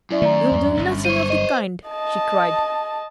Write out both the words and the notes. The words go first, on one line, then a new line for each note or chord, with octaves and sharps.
"You'll do nothing of the kind!" she cried.
F#2 E4 D5 E5
D#3 A3 D5 A#5
E2 G2
G1 G2 F#3
C5 C#5 D#7
D#5 D#7
D#5 A5